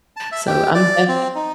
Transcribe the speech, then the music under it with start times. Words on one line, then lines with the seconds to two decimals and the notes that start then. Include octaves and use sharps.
so I'm def
0.17 A5
0.32 E5
0.47 G4
0.74 D5
1.08 C4
1.35 D#4